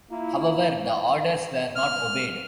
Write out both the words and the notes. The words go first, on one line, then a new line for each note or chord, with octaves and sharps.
However, the orders were not obeyed.
A#3 E4 F4
F6